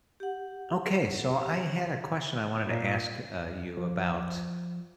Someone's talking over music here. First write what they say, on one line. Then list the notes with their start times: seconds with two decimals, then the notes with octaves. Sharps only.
Okay. So, I had a question I wanted to ask, uh, you about,
0.20 G4 F#5
2.66 A#2
3.77 F3